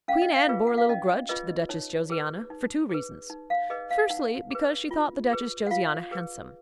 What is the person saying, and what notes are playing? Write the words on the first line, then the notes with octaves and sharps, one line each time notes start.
Queen Anne bore a little grudge to the Duchess Josiana, for two reasons. Firstly, because she thought the Duchess Josiana handsome.
C#4 F5
D#5
F5
F4 G#4 B4
F#5
F5
C#4 D#5
F4 G#4 B4 D#5
D#4 C#5
G#4 B4
D#4
G#4 B4
D#4
F5
G#4 B4 D#5
F5
D#4 F#5
G#4 B4
F4
G#4 B4
F#5
F4 F5
G#4 B4